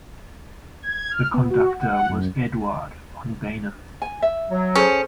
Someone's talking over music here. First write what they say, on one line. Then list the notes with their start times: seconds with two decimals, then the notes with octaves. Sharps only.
The conductor was Eduard van Beinum.
0.83 G#6
1.11 F6
1.34 B3
1.51 F#4
1.81 F#5
2.09 F#2
4.02 G#5
4.22 E5
4.51 F#3
4.75 C#4 G#4 A4 C5